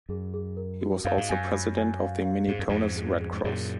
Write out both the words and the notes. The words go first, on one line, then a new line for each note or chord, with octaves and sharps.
He was also president of the Minitonas Red Cross.
F#2 G#4
G#4
A#4
F#4
F#2 F5
G#2
F#2 G#5
B5
G#5
F5
F5
G#2 G#4
F#2
F2 G#2 G#4
G#4
G#4
G#2
F#2 A#2 G#4